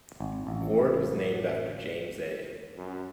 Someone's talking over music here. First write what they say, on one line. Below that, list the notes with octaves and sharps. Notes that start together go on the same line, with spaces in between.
Ward was named after James A.
G#1
A1
F#2